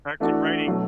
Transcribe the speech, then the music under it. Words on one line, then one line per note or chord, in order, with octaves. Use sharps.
actually raining
E3 A3 D4 F#4 A4
B2 F#3 A3